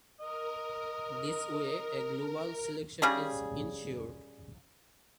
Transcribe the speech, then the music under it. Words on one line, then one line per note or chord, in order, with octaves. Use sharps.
This way a global selection is insured.
A#4 D#5
C#3 G3 G#4